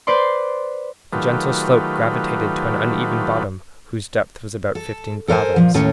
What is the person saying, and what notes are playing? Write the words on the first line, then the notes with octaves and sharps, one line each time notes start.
A gentle slope gravitated to an uneven bottom whose depth was about fifteen fathoms.
B4 C5 D5 C6
D#3 F#3 A3 F4 G4 B4
A4
A4 A#4 C5 G#5
A#2 F3
D#2 A2 A3 C#4